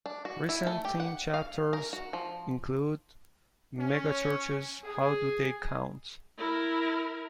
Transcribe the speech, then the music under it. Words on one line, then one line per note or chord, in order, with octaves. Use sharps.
Recent theme chapters include, Megachurches: How do they Count?
D4
F#4
E4
A3
G4
F#5
F5
A#4
F#4
F3
C#4
G#4
E4 A#4